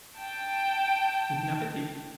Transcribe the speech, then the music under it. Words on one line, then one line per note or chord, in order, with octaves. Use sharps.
Guten Appetit!
G5 A5